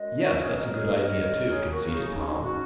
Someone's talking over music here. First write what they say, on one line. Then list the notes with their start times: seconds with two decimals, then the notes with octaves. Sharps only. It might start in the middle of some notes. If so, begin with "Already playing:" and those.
"Yes, that's a good idea, too," conceded Tom.
Already playing: F#2 G#3 D#5
0.24 A#3 F#4 A#4
0.39 G#4 C#5
0.55 A#3 A#4 D#5
0.71 G#4 C#5
0.86 F#3 A#4 D#5
1.18 F#3
1.49 A#3 G#4 C#5
1.70 F#4 A#4
1.81 C#3
1.91 D#4 G#4
2.11 C#4 D#4
2.27 D#4
2.43 C#4 F#4